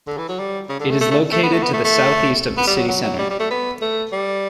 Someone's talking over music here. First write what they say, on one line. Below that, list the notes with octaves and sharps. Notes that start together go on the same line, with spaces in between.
It is located to the southeast of the city centre.
D3
E3
F#3
G3
C#3
D3
A3
A3
A3
A3
B3
A3
B3
A3
A3
B3
G3
F#3
F#3
F#3
G3
G3
A3
B3
A3
G3